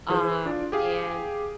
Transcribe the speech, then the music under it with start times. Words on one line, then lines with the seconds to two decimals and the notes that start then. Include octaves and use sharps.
um, and
0.10 E3 G#4 C5
0.46 D4 F4 D5
0.72 G4 G#4 F5